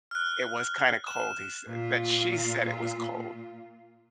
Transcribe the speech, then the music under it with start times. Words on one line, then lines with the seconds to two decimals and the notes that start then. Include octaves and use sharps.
It was kinda cold, he said that she said it was cold.
0.11 F6 F#6
1.07 E7
1.67 A#2 F4